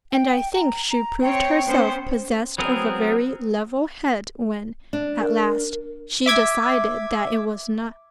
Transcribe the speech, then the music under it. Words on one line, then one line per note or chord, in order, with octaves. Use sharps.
And I think she proved herself possessed of a very "level head" when, at last, she decided that it was not.
G5
A#5
A#5
C4 C#5 G5
B3 C#4 C5
F#3 B3 C4 G#4 A#4
D4
A#4
E5 D6 G#6 B6